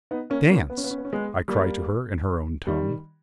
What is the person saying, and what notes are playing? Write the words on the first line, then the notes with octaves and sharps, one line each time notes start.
"Dance," I cried to her in her own tongue.
B3 D#4
A#3 C#4
A#3 C#4
B3
C#4
B3
C#4
B3
C#4
G#3 B3
G3 A#3
D#3 G3